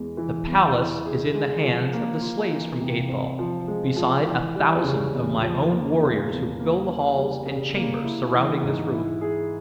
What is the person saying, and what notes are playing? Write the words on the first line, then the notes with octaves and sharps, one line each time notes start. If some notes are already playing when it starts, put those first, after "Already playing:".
The palace is in the hands of the slaves from Gathol, beside a thousand of my own warriors who fill the halls and chambers surrounding this room.
Already playing: E2 G#3
E3
E2
E4
G#4
G#3
F3
A#3
F4
E3
C3
C4
F3
G#3
F3
E3
G3
C#3
E2
F3
A#3
C#3
E2
A#3
C#4
G3
C#3
A#3
E4
E3
G#2
E4
G#4